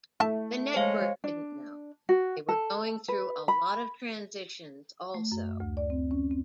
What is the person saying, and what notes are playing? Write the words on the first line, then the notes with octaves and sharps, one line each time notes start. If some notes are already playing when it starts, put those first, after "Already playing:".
The network didn't know, they were going through a lot of transitions also.
A3 E4 E5 A5
G#3 C5 C#5 F5
D4
F#4
A4
B4
B5
A3
F#2
D2
D5
C4
C#4
C4